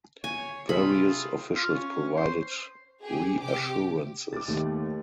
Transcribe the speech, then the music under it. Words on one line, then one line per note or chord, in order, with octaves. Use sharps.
Various officials provided reassurances.
C#5 G#5
C3 F4 G#4 B5
F4
C#4
C5
G4 G#4
C3 G4 D6
D6 A6
D#2 D#3 A3